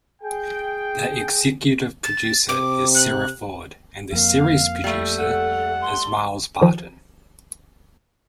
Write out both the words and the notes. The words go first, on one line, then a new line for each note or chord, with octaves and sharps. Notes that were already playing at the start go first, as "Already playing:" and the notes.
The executive producer is Sara Ford and the series producer is Miles Barton.
G#4 G5
A6
C3 D6
F#6
F2 A#3 F5
G3 A3
A4 F#5
C6
D#3 F3